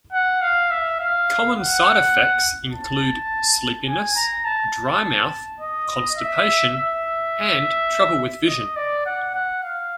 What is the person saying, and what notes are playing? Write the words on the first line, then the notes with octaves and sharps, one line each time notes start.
Common side effects include sleepiness, dry mouth, constipation, and trouble with vision.
F#5
F5
E5
F5
F#5
A5
G#5
A#5
A5
D#5
E5
E5
D#5
D5
F#5
F#5
F5